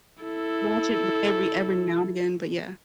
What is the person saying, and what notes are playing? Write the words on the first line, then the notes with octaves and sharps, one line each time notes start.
Watch it o every every now and again, but yeah.
E4 A4